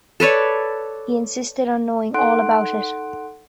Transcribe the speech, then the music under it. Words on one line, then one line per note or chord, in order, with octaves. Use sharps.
He insisted on knowing all about it.
A4 B4 C#5 D5
D#4 A4 F#5 C6 F#6 D7